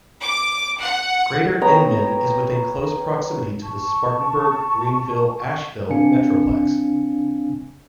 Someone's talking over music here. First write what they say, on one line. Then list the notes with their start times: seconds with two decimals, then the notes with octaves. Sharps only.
Greater Inman is within close proximity to the Spartanburg-Greenville-Asheville metroplex.
0.22 D6
0.80 F#5
1.62 B3 C#5 G5 A#5
3.63 A5 C#6
5.89 C#3 C4 D4 F5 G#5 C#7